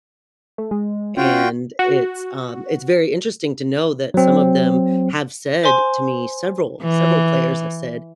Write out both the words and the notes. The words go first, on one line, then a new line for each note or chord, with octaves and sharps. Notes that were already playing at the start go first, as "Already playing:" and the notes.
and it's, um, it's very interesting to know that some of them have said to me, several, several players have said,
A3
G#3
C#4 F4 F#4 G5
F#4
F#3 C4
C5 G#5 C6
E3